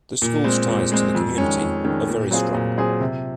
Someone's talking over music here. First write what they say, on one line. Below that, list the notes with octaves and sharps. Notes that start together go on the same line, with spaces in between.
The school's ties to the community are very strong.
A#2
G#3 C4
A#2
G#3 C4
F2
D#3 G#3 C#4
F2
D#3 G#3 C#4
A#2
F#3 C4 F4 G#4
A#2
F#3 C4 F4 G#4
C3